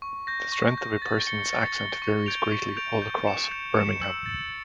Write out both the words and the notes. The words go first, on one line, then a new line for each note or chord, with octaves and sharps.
The strength of a person's accent varies greatly all across Birmingham.
C#6
G6 A#6
C#6
G6 A#6
A6
C#7 G7
A6
C#7 G7
C#6
G6 D7 F7
C#6
G6 D7 F7
G6
C#7 E7
G6
C#7 E7
E6
A6 C#7